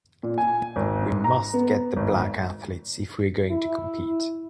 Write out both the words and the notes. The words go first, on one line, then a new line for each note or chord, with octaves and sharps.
We must get the black athletes if we're going to compete.
A#2
G#5
G#1
G#2
A#5
B3
G#1
E4